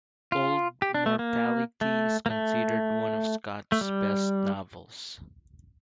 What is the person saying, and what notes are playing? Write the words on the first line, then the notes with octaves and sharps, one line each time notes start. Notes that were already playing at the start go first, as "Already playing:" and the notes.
"Old Mortality" is considered one of Scott's best novels.
F4
G4
D4
A3
A#3
A3
A#3
A3
A3
G3